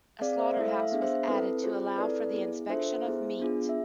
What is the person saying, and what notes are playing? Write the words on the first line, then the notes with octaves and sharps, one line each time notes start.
A slaughter house was added to allow for the inspection of meat.
C4 G#4 D5 F5
C5 E5
A3 E4 A4 E5
F5
E5
B3 D4 G#4 F5
C5 E5
C4 E4 A4 B4
C4 F4 G#4 C5
C4 E4 A4 B4 D5
B3 E4 G#4
D4 F4 A4 C5 E5
B3 E4 G#4
B3 D4 F4 G#4
E5